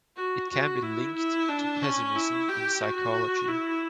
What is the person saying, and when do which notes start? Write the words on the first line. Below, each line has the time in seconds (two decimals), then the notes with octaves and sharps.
It can be linked to pessimism in psychology.
0.16 F#4
0.49 F#4
0.83 E4
1.16 E4
1.49 D4
1.82 C#4
2.15 E4
2.48 G4
2.81 F#4
3.48 E4